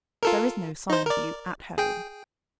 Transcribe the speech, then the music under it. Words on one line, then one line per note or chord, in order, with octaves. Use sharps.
There is no sign of you at home.
F4 A4 A#4
D#4 C5
A#4 D5
G#4 G5